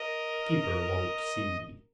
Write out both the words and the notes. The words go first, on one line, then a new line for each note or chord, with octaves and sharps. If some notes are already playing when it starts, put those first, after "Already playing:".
Keeper won't see.
Already playing: A#4 D#5